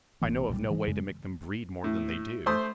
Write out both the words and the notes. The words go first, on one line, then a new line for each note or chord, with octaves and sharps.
I know of no way to make them breed more than they do.
G1 A#2 E3 A#3
B1 A#2 F3 G3
E3 G3 G#3
F#2 C#3 G#3
A2
A3 C5 C6 D#6